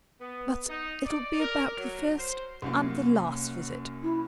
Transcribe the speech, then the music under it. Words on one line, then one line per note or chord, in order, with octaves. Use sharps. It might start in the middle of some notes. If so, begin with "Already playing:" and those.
But it'll be about the first and the last visit.
B3
D#4
D5
A#4
F#3
C5
C2 F#2 A#3
E4